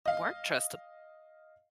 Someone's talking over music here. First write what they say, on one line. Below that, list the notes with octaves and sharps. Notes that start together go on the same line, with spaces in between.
weren't trusta
D#5 F5